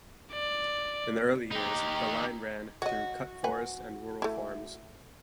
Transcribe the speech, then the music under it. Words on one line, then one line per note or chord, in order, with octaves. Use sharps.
In the early years, the line ran through cut forest and rural farms.
D5
D#4 G4
F#4 C#5 D#5
B4 F#5 G#5
A3 E4